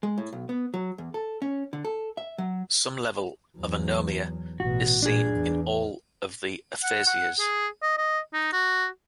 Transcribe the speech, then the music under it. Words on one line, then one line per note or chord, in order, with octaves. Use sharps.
Some level of anomia is seen in all of the aphasias.
G#3
A2
B1
B3
F#3
E2
A4
C#4
D3
A4
E5
F#3
E2 F#3
A1 B2 F#4
A#2 D4 G#4
E2
F#5
F#5
G#4
D#5
D#5
D#4
F#4